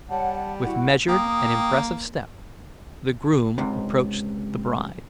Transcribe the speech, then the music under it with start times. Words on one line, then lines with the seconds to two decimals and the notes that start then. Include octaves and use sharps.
With measured and impressive step the groom approached the bride.
0.10 G3 C#5 F#5 A5
0.63 E4 F#4 F#5
1.08 A#3 G5 D#6
3.58 C#2 G#2 C3